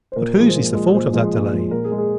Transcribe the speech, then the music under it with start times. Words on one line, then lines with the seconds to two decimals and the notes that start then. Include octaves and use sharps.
But whose is the fault of that delay?
0.12 C5
0.16 A#2 A#4
0.36 F3 G#3 G#4
0.49 C5
0.55 A#2 A#4
0.74 F3 G#3
0.93 A#2 C5
1.13 F3 G#3 G#4
1.33 A#2
1.53 F3 G#3
1.71 A#2 A#4
1.85 G#4
1.92 G#3
1.98 G#4